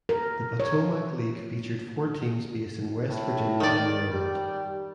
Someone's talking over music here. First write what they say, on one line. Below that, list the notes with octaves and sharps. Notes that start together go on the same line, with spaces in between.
The Potomac League featured four teams based in West Virginia and Maryland.
A#4
C#5
A2
D#3 D5
G3